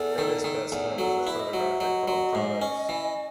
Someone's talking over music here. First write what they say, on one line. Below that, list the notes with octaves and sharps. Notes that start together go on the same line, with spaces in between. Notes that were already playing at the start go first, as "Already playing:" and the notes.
It is best known for photographic film products.
Already playing: E2 A4
D#3
D#3
E2
F#3 A4
B4
E4
D#5
F#3
E5
F#3 D#5
F#3
G#2
C#4
E3